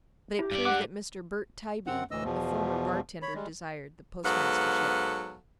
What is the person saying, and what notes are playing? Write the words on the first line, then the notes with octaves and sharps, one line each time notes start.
But it proved that Mr. Bert Tybee, the former bartender, desired the postmastership.
E4 G4
G2 D5
F#5 D6
F#2 C4 F#5
D2 A2 E3 D#5 E6
E2 B2 F3
C#5 B5
G3 G#3
G#2 F#3 B3 A4 F5 F#5